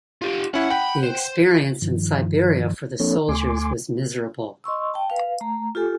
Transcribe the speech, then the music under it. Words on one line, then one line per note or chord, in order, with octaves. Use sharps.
The experience in Siberia for the soldiers was miserable.
F4 G4
C#4 E4 F#5
F#5 G5 B5
C5
G2 D#3 F3
F3 A#3 C4 D4 A4 C#5
D2 A3 G#5 C6 D6
D#5 C6 C#6 E6
G5 A5
B4 F5
A3 A#5
F4 G4 A4 G#5